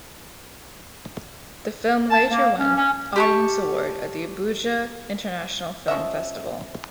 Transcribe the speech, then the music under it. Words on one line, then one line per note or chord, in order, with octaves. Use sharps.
The film later won Audience Award at the Abuja International Film Festival.
A5
A#3
C#4
C#4
G4 A5 C#6
F3 C#4 D#5 E5